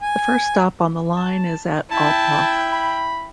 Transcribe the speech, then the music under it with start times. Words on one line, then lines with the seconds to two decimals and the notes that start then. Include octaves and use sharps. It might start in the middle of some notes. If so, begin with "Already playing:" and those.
The first stop on the line is at Alpbach.
0.01 G#5
1.17 A5
1.91 E4 G5 A5
2.72 B5